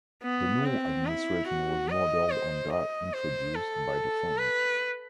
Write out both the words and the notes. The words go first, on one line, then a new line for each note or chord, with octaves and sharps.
The new administration was modelled on that introduced by the French.
B3
C4
E4
F#4
D#5
C5
D#5
C5
A4
B4